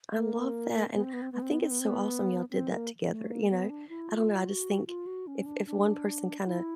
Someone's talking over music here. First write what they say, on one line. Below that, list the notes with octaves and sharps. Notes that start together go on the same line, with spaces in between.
I love that, and I think it's so awesome y'all did that together, you know? I don't know, I just think if if one person kinda
A#3
B3
C4
B3
C4
B3
C4
B3
C4
B3
C4
B3
C4
A#3
A3
A#3
B3
D4
E4
F4
F#4
F4
F#4
C#4
D4
D4
E4